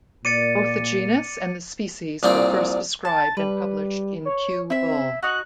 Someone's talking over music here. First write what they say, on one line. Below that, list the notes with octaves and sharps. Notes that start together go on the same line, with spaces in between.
Both the genus and the species were first described and published in Kew Bull.
A#2 D5 A6 C#7 D#7
C2 A#2 C4 G5
A5 A6
G3 B4
C#5
C4 E4 E5
D#4 F#4 F#6